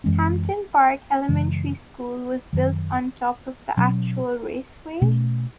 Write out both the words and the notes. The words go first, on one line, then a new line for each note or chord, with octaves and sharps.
Hampton Park Elementary School was built on top of the actual raceway.
F#2 E3 G#3 C#4
F#2 C#3 E3 G#3
F#2 D#3 F#3
B2 F#3 C#4
B2 A3 C#4